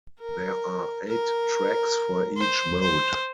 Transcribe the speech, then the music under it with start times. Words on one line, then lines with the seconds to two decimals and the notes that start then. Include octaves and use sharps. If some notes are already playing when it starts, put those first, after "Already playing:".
There are eight tracks for each mode.
0.20 A#4
1.07 A#4
2.37 C5
2.81 C5